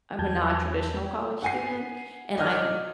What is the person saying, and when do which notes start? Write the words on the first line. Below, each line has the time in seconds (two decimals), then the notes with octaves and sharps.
I'm a nontraditional college student, and I
0.19 E2 F#3 A5 G6 G#6
1.42 F#5 G#5 C7
2.36 D5 D#5 F6